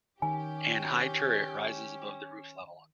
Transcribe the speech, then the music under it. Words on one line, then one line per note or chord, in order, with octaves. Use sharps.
An high turret rises above the roof level.
D#3 C#4 G4 G#5